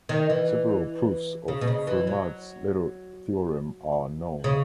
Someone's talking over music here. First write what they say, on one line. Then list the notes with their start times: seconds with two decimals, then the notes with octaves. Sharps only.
Several proofs of Fermat's little theorem are known.
0.09 D#3
0.30 E3
1.48 C#3
1.61 B2
1.67 C#3
1.87 E3
2.07 F#3
4.44 C#3